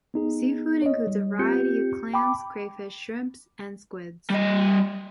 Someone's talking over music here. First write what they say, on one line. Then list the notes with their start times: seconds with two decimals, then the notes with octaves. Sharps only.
Seafood includes a variety of clams, crayfish, shrimps and squids.
0.14 B3 D#4 G#4
0.82 C#5 D#5
1.07 G3
1.39 C4 F4 G4 G6 C#7
2.14 G5 A5 B5 D6
4.30 G3 D#5